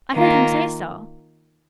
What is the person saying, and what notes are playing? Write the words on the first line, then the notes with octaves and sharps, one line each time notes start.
I heard him say so.'
D#3 A#3 F4